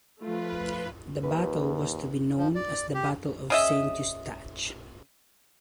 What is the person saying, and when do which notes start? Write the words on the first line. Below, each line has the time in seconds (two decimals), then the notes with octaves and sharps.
The Battle was to be known as The Battle of Saint-Eustache.
0.22 F3 A3 F4 B4
1.23 D#2 B4
2.38 F3
2.55 D5
2.94 G4
3.50 C#3 D#5 E5